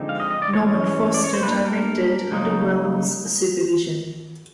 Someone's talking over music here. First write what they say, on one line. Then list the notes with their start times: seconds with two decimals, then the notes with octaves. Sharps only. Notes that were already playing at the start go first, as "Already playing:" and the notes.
Norman Foster directed under Welles's supervision.
Already playing: D3 F3 G#3 C4 D#4
0.09 F5
0.20 D#5
0.31 D#5
0.42 D5
0.53 E3 G#3 C#4 C#5
1.14 D5
1.24 C#5
1.33 C5
1.42 G3 A#3 D4 B4
1.65 A#4
2.32 C#3 F#3 A#3 D#4